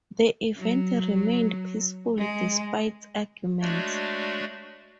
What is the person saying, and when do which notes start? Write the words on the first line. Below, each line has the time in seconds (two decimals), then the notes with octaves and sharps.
The event remained peaceful despite arguments.
0.57 F#3
2.18 G#3
3.61 G#3 A3 D4 F#4 C#5 D5